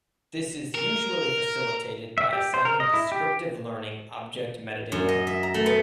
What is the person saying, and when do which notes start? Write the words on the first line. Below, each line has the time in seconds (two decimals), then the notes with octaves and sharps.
This is usually facilitated by assigning descriptive learning object metadata.
0.75 A#4
2.18 E5
2.33 G4
2.54 C5
2.65 A#4
2.80 D#5
2.94 E4
3.12 G4
4.92 F#2
5.09 D#5
5.27 E5
5.43 A#5
5.54 A3
5.66 B3